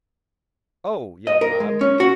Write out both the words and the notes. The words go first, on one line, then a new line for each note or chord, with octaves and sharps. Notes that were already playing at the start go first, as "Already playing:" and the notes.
"Oh!" yelled Bob.
D#5
A#4
G#3
C#4
F#4